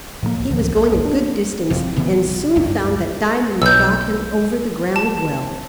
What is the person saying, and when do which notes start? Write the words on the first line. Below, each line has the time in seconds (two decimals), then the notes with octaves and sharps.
He was going a good distance, and soon found that Diamond got him over the ground well.
0.23 A2 F3 F#3 A#3
0.36 C2 A2
0.50 D2 D3 E3 F3
0.76 B1
0.91 A#1 F#2
1.05 D4
1.70 G1 F2 C3
1.96 B1 C#3 E3 B3
2.55 F#1 C#2 G2
3.62 B1 E6 G6
4.96 A5